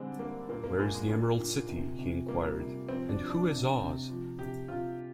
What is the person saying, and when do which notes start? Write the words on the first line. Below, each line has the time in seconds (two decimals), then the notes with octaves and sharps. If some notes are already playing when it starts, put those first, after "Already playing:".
Where is the Emerald City? he enquired; "and who is Oz?"
Already playing: D3 G3 G#3 C4 D4
0.19 G3 A#3
0.49 A#2 A#3
0.64 A#3
0.79 A#2 G#3
0.94 G#3
1.09 A#2
1.40 A#2
1.69 C3
1.99 C3
2.29 G3 A#3
2.59 C3
2.88 F3 C4
3.09 D4
3.20 F3
3.30 D4
3.49 C3
3.80 C3
4.09 F3
4.39 C3 G4
4.68 C3 F4